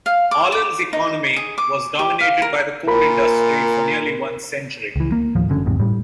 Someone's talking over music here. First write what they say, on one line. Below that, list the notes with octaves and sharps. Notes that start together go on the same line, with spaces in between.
Ahlen's economy was dominated by the coal industry for nearly one century.
F5
D6
D6
D#4
G#4
D6
G4
F5
A#4
A#2 A#4 B5
C#2 E3
A#3
D#2 A2 F3
F#1 F#2 D3 C#4
G#1 E2 G#2 C3
A2 G3